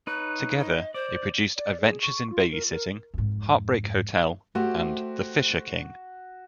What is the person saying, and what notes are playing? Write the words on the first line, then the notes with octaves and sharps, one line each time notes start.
Together, they produced "Adventures in Babysitting", "Heartbreak Hotel", and "The Fisher King".
D#4 B4 C#5 F#6
D#5
C5 D5
D5
G#4
C#6
F4
A#4
A#4
F2 G#2
A3 F#4 G4 C5